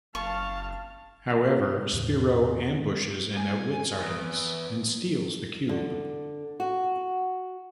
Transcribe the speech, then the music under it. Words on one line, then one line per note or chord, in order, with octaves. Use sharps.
However, Spiro ambushes and outwits Artemis and steals the Cube.
F#1 F5 A5 C#6
E2 A2 C#3
G#5
E2
D3
F#4